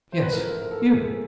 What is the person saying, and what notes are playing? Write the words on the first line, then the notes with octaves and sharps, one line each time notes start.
"Yes, you."
C5
B4
A1 G#2 F3 A3 A#4
A#4
A4
A4
G#4